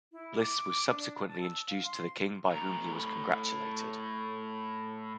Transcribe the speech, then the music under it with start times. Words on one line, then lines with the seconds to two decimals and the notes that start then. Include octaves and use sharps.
Bliss was subsequently introduced to the King by whom he was congratulated.
0.12 E4
0.36 D6
0.90 D4
1.27 A5
1.41 E6
1.68 F5
1.84 C6
2.51 A2 A#5